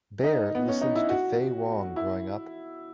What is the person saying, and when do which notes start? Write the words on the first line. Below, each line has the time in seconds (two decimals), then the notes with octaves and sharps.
Bear listened to Faye Wong growing up.
0.23 D#4
0.55 B3
0.68 C#4
0.81 D#4
0.95 E4
1.10 F#4
1.96 E4